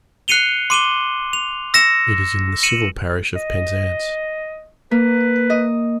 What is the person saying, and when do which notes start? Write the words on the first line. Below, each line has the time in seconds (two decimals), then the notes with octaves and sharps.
It is in the civil parish of Penzance.
0.28 F#6 C7 C#7 D#7 F7 G7
0.70 C6 D6 D#7 E7 F#7 G7
1.33 F7
1.74 E6 A#6 C#7 E7
2.63 C#7 D#7 E7 F#7
3.35 D#5
4.91 A#3 B4
5.50 D#5